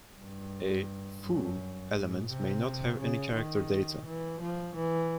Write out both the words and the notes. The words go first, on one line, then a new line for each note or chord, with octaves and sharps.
A "foo" element may not have any character data.
G2
F#2
G#2
C3
C#3
D#3
E3
F3
E3